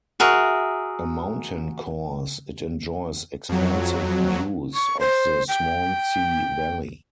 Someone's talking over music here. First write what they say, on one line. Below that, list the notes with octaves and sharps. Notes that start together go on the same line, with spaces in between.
A mountain course, it enjoys expansive views of the Swansea Valley.
F#4 G#4 A#4 E5
F2 F#3
C#6
C5
G5